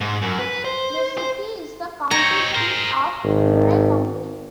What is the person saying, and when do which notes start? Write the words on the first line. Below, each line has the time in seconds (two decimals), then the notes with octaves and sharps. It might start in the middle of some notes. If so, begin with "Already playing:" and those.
The city is the county seat of Murray County.
0.01 G#2
0.22 F#2
0.39 B4
0.65 C5
1.18 C5
2.11 C4 D#4 C#5 A#5
2.55 G#4 A#4 C5
3.24 G#1